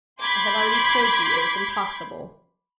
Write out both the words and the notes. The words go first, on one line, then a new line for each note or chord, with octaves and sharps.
"I have already told you it was impossible."
B5 C6 D6 G6 G#6 B6